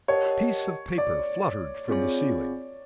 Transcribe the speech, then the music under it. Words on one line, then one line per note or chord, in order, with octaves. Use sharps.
A piece of paper fluttered from the ceiling.
G4 A#4 C#5 D#5 F#5 A5
D5
C4 F4 G#4 C#5